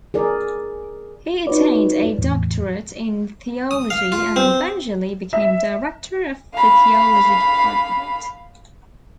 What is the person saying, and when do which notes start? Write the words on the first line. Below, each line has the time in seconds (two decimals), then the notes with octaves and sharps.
He attained a doctorate in theology and eventually became director of the theology department.
0.14 G#4 A#4 D5
1.47 D#4 F4 F#4 B4 C#5 D5
2.18 E2 A2
3.71 D#6
3.90 F5
4.12 F4
4.36 C4
5.33 E5
6.54 F5 B5